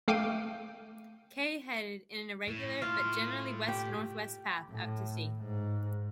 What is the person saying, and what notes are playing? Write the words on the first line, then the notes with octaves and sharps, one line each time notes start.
Kay headed in an irregular but generally west-northwest path out to sea.
A3 F5 G5 D6 C7 D#7
A2
F4
G4
A2
G#2